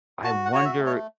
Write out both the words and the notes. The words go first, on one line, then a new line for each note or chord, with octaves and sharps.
I wonder
F#4 A5
F#5
F#4 C#5
E5
A3
C#5